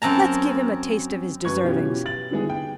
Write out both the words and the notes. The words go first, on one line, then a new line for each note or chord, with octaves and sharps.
Let's give him a taste of his deservings!
F#2 C4 A5 A#5
F#2 B4 C#6 G#6
B2 E3 C#4 F4 G4
A6 F#7
D3 D#3 G3 B3 E4 G#4
G5